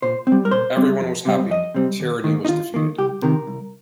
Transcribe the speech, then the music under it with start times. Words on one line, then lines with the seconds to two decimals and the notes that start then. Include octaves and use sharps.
Everyone was happy, tyranny was defeated.
0.02 A#2 C5
0.27 C4
0.32 G3
0.45 A#4
0.51 A#2 C5
0.76 G3 C4
1.01 F2
1.25 C3 G3 C4
1.50 F2 D#5
1.74 C3 G3 C4
2.00 D#2
2.24 D#3 A#3
2.45 D#4
2.48 D#2 F4
2.74 D#3 A#3
2.98 C2 G4
3.22 C3 D#3 A#4
3.47 C2